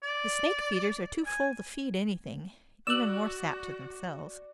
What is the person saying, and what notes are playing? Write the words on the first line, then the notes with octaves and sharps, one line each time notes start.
The snake-feeders are too full to feed anything--even more sap to themselves.
D5
G#5
F#4 D5 E6 F#6